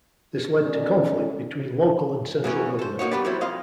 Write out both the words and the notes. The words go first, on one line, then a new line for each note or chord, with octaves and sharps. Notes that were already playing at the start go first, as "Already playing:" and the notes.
This led to conflict between local and central government.
B2 C4 C#4 D#4 A4 D5
F#2 E3 C#4
A4 C5
A#3 D#4 F#4 C#5
G3 B3 G4 B4 D5
F#3 G3 C4 E4
F2 D#5 F5 C6